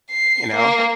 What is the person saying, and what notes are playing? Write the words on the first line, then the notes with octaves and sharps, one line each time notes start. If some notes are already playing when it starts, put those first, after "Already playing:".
you know?
C7
A#3